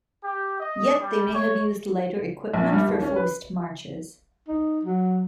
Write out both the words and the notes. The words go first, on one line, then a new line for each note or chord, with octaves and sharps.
Yet they may have used lighter equipment for forced marches.
G4
D#5
G3
C#5
A#1
G3
D#2
C#4
B4
D#4
F#3